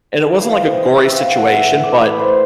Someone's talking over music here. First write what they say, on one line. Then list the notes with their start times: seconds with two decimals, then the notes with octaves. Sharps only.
and it wasn't, like, a gory situation, but
0.24 E3
0.41 F5
0.60 C4
0.77 D#5
0.95 C4 E5
1.13 F5
1.30 E3 F#5
1.47 E5
1.65 A2
1.84 D5
2.01 A2 B4
2.19 C5